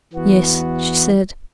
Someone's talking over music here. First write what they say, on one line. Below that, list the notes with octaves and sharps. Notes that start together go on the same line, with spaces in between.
"Yes," she said.
E2 E3 B3 F#4